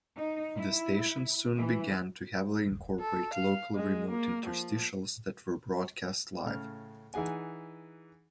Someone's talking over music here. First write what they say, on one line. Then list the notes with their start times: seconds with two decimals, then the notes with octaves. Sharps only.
The station soon began to heavily incorporate local remote interstitials that were broadcast live.
0.16 D#4
0.56 E4
1.57 E3
3.00 A4
3.34 F5
3.76 G#3
4.10 A#3
4.46 F3
6.46 A2 C#3 F6
7.14 E3 D#4 G#4 F#5 G#5